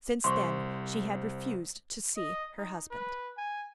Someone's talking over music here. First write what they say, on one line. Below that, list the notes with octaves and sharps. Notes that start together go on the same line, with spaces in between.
Since then she had refused to see her husband.
C2 C5 C6 C#6
D#5
D#4
B4
G#5